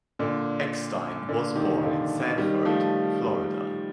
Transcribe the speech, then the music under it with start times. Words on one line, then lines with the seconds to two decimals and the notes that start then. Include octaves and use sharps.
Eckstein was born in Sanford, Florida.
0.19 A#2 D3
1.29 A#2 D3
1.55 C3 D#3
1.83 D3 F3
2.38 D#3 G3
2.65 F3 A3